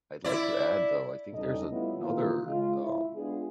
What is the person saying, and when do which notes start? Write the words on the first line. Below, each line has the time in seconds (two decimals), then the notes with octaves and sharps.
I'd like to add, though, I think there's another, um,
0.24 E4 D5
1.35 E2 C#3 G3 D#4 A4 D#5
1.72 G3 A3 B3 C#4 E4 F4
2.00 A#2 D#3 E3 A#3 F4
2.46 C#3 G#3 F4
2.82 E4
3.15 G#3 B3 D4 F4 G#4